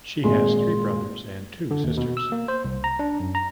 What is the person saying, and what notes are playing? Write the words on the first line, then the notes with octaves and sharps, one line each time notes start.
She has three brothers and two sisters.
G#1 A#2 G#3 C6
D3
D#2
B2
E6
A#3
C5
C2
A#5
D4
F#2
A#5